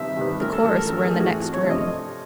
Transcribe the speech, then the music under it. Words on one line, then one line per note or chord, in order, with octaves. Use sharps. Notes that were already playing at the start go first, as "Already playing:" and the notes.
The chorus were in the next room.
Already playing: F2 C3 D#3 G3 B3 E5
C3 D#3 G3 B3
A1 A#4
A4
A2 E3 A4
A#4
A1 A4
G#4
A2 E3
F#4
F2
C#5
C3 F3 A3 D4
D#5